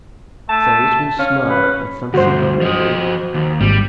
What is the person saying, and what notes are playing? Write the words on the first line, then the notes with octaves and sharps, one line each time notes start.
Sir Richmond smiled at some secret memory.
A3 A5
C#4 F5
B4
D2 G2 F#4 C5
F3 D#5
D#2
G#1 G3